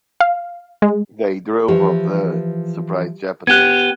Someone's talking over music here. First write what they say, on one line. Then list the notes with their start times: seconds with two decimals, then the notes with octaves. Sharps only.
They drove off the surprised Japanese.
0.20 F5
0.82 G#3
1.68 E3 F3 G4
3.47 B3 G4 F#6 G#6